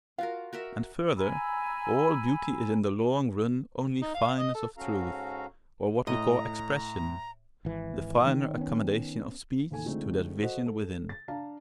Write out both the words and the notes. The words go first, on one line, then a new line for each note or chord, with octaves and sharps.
And further, all beauty is in the long run only fineness of truth, or what we call expression, the finer accommodation of speech to that vision within.
F4 F#4 A#4 F5
F#4 A#4 E5
G#5 A#5 B5 E6
D#4
F5
D#5
A4
G#2 C#4 F#4 A4 F5 A#5
A2 D#5 A#5
G#1 E3
D#3
B3 C#4
A1 D#2 A4 G#5
D3 F3 G#3 A3 C4 D#4
F#4 A4 C5 D#5 F#5
A4
A6
D4 F5 A5 A#5